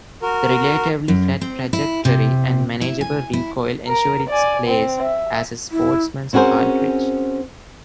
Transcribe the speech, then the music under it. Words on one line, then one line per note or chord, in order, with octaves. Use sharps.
The relatively flat trajectory and manageable recoil ensured its place as a sportsman's cartridge.
F#4 A#4
F#2
C4
E4
C3
E4
G#5
E4
A#4
D5 G#5
C4
E5
E4
C4 C#4 F#4 G#4 A#4 C5